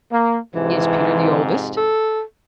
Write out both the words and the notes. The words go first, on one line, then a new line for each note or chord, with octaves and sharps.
"Is Peter the oldest?"
A#3
F2 G#2 C3 E3
A4